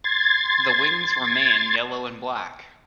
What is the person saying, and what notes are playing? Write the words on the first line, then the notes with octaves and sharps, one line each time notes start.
The wings remain yellow and black.
C6 G#6 A6